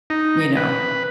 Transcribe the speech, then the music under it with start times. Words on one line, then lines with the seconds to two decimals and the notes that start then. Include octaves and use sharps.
you know,
0.10 D#4
0.57 B4